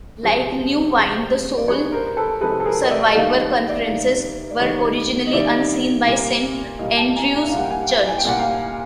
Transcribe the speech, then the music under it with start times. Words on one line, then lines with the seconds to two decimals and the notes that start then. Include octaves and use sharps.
Like New Wine, the Soul Survivor conferences were originally overseen by Saint Andrew's Church.
0.23 C3 F3 G#3
0.95 C3 F3 G#3
1.57 D5
1.68 C3 F3 G#3 B4 C#5
1.92 A#4 C5
2.17 A4 B4
2.41 C3 F3 G#3 A4 B4
2.60 A4
2.66 G#4 A#4
2.84 D#5
2.90 D5 E5
3.14 D#3 G3 A#3 D#5 F5
3.32 C#5 D#5
3.69 D5 E5
3.87 D#3 G3 A#3
4.51 D5
4.60 D#3 G3 A#3 C#5 D#5
5.27 D#5
5.33 D#3 G3 A#3 D5 E5
6.07 A#2 G3 A#3
6.79 A#2 G3 A#3 D#5 F5
6.97 G5 A5
7.16 G#5 A#5
7.34 G#5 A#5
7.42 E5
7.50 F5
7.53 A#2 G3 A#3 F#5
7.64 G5
7.71 F#5 G#5
7.82 F#5
7.88 F5 G5
8.08 G#5
8.18 G5
8.25 A#2 G3 A#3 F#5
8.39 F5 G5